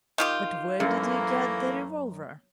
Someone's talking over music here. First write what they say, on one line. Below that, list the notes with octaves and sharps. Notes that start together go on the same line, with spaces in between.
But where did you get the revolver?
D#3 F4 G4
F#2 E3 A3 A#3